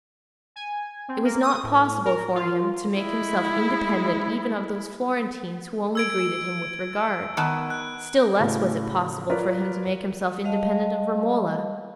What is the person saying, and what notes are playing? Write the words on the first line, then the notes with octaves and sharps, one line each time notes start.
It was not possible for him to make himself independent even of those Florentines who only greeted him with regard; still less was it possible for him to make himself independent of Romola.
G#5
C4
A#3
D#6
A2
A#4
F4
G#3 E4
E6 G#6 D7
D#3 B3 A5
F#6
A2 C#3 F#4
F4 A#4 B4 C#5 D5
G3 D#5 F5 A5